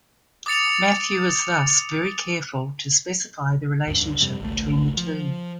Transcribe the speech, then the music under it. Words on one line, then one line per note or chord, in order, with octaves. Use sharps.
Matthew is thus very careful to specify the relationship between the two.
D6 D#6 A6 C#7 F7
D2 G2 D3
F2 C3 G3
G#1 C#2 A3
F3